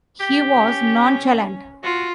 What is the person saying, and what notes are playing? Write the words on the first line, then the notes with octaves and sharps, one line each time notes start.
He was nonchalant.
G4
C#4
F4 F#4